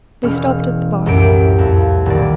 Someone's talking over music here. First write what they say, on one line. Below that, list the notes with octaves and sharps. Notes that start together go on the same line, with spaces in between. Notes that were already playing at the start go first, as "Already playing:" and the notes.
They stopped at the bar.
E1 C#4 F6
C2 F#2 A2 G4 E5 D7
F2
D#1 D5